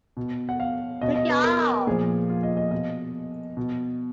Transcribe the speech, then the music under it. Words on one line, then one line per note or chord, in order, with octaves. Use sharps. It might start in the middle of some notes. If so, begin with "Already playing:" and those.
Take it off!
B2
F#5
F5
B2 D#5
D#5
B4
A#4
A#2 F3 G#4
F4
D#5
D#5
B2 D#5
B2